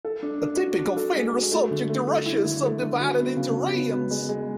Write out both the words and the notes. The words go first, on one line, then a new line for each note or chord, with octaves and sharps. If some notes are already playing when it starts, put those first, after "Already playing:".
A typical federal subject of Russia is subdivided into raions.
A4
D4
D4
F#4
D4
A4
G#3
F#4
A3
D3
A3
A3
E4
D3
A3
D3
F#4
B3
C#3
F#4
B3
B3
G#3
G#3